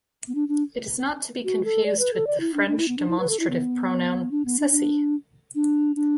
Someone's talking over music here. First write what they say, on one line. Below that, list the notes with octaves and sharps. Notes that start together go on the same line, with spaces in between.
It is not to be confused with the French demonstrative pronoun "ceci".
B3
D4
D4
F#4
A4
D5
B4
A4
D5
E4
D4
D4
E4
B3
D4
E4
B4
A4
E4
B3
D4
B3
D4
D4
D4
D4